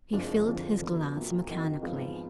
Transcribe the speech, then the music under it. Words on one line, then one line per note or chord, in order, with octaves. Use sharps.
He filled his glass mechanically.
F#1 F2 F3 G#3 D4
F2 D3 F3
D3 F#3 B3
A#1 A#2 F#3
F2 D#3 A#3 D#4 F#4
G#1 G#2 F3 B3 F4